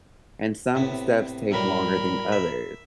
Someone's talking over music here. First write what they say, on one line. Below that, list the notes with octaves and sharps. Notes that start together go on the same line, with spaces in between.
and some steps take longer than others,
A2 C3 B3
A2 F#3 G3 A#4 B5
E5